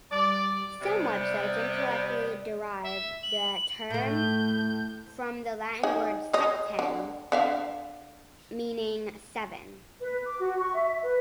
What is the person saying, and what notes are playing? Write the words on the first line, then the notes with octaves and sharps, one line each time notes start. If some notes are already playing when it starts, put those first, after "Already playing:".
Some websites incorrectly derive the term from the Latin word "septem", meaning "seven".
G3 D5
C3 G3 B3 D5
E5
F#7
A2 A3 G6
D#4 G#4
G#4 C#5 D#5
D3
D3 E5 F5
B4
D6
F#4
C#6
E5
E5
B4